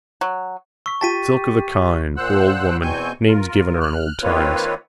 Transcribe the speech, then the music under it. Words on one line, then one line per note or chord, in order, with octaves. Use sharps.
Silk of the kine and poor old woman, names given her in old times.
F#3
C#6 E6 B6
F4 G4 G5 A5 A6 B6 D#7
A#2 C5 F#5 E6 F#6
E2 B2 C4 G#5 C#6 G6
F4 A#4
F6 F#6
D#3 A#3 C4 F4 B4 C#5